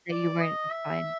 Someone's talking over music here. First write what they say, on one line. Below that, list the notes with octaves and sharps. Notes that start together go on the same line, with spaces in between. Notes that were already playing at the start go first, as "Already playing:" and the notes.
that you weren't fine.
D5
D#5
E5